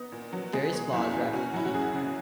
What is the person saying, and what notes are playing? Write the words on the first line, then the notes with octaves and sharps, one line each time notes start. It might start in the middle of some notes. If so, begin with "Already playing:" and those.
Various flaws rapidly became apparent.
Already playing: B3 D#4
A#2
F#3
G#3 G#4
B2
F#1 E4
E2
C#4 F#4
F#3 E4
F#4
F#2 G#4
C#3